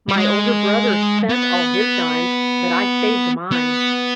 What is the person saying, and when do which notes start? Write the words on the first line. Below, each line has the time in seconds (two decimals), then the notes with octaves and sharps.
My older brother spent all his dimes but I saved mine.
0.09 G3
0.17 G#3
1.29 B3
3.52 B3